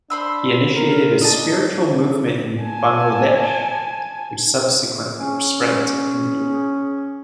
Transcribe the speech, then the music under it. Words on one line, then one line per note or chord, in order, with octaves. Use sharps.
He initiated a spiritual movement in Bangladesh which subsequently spread to India.
D4 C5 B5 E6
A#4
D4 D#5 A5
G#5 A5
C#4 G#4